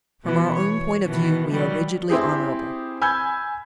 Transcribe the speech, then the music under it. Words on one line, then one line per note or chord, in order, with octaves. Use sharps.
From our own point of view we are rigidly honourable.
B2 E3 B3
C#5
B2 D#3 E3
D#3 F#3 G3
C4 E4 G4 G#4
G#5 B5 E6 G6 G#6